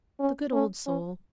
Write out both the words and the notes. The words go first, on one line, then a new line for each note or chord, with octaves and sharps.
The good old soul!
C#4
C#4
C#4